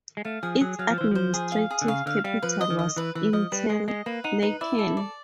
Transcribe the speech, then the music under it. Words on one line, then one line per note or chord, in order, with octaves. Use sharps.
Its administrative capital was Interlaken.
G#3
A3 F5
F3 G#4
F#3 G#4
F#3 F5
F3
E3 C5
F3 C5
G#4
F5
G#4
D3
C#3 F5
D3 F5
G3 F5
F3 B4
D#5
D#3
D#5
E3 B4
E3 B4
F3 D#5
G3 B4
G#3 D#5
G#3 D#5
A#3 B4
D#4 F#5
D#4 B4
E4 D5
A4
D5